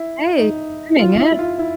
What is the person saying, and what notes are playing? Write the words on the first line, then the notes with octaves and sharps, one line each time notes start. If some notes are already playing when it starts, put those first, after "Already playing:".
Right doing it.
Already playing: E4
D#4
F4
E4
F4
E4